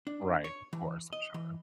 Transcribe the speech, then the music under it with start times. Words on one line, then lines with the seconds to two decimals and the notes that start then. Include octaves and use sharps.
Right, of course, I'm sure.
0.07 D4
0.44 C#5
0.73 E3
1.13 D#5
1.34 E3